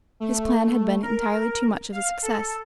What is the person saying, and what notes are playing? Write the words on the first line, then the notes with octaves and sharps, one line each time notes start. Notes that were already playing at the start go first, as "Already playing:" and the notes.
His plan had been entirely too much of a success.
A3
A#4
F5
A4